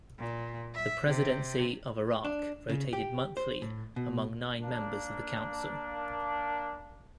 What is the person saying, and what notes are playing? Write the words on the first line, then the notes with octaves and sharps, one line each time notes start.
The presidency of Iraq rotated monthly among nine members of the council.
A#2
E5
C3
D4
C#3
G4
C5
A2
B2
A#3 D4